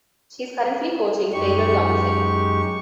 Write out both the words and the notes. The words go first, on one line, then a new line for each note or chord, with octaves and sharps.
She is currently coaching Taylor Townsend.
F#2 G#3 D#4 G4 C#6